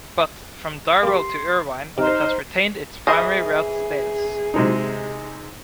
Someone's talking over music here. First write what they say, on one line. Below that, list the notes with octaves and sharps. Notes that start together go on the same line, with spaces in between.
But, from Darvel to Irvine, it has retained its primary route status.
A#3 G4 C6
C3 D#4 C5 F6
E3 G#4 C5 D#5
C3 G#3 D#4